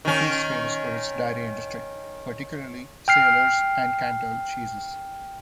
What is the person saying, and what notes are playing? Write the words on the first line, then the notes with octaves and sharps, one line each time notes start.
It is famous for its dairy industry, particularly Salers and Cantal cheeses.
D#3 C#4
G5 F6 C7